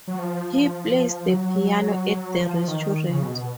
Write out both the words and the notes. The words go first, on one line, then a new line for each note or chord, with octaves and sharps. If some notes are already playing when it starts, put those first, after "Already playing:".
He plays the piano at the restaurant.
F#3
F3
F#3
F3
D#3
C#3
B2
B2